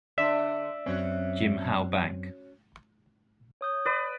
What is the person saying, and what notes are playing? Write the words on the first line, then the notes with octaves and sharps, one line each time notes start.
Jim Howe Bank.
D3 D5 E5
F#2 C4 C#4 F#4
C#5 D#6 G6
B4 D5